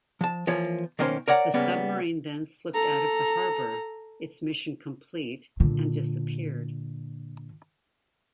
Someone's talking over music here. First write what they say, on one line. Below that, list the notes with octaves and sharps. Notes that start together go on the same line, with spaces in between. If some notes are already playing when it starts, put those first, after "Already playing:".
The submarine then slipped out of the harbour, its mission complete, and disappeared.
F3 A5
E3 F3 A#3 C#5
B1 D#3 A#3 C#4 C5
A#4 C#5 D5 F#5 A#5
C#3 G3 A#3 B3 C#4
A4 A#5
A#2 D3